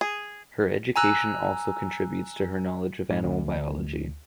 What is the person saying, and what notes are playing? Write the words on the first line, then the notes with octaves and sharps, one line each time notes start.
Her education also contributes to her knowledge of animal biology.
G#4
G#5 A#5 E6 F#6
G#2
D2